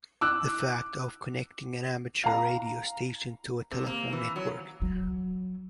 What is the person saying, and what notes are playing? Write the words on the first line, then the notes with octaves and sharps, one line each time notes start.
The fact of connecting an amateur radio station to a telephone network.
D6 E6 F#6
F5 A#5
C3
A#3
E3
F#3
F#3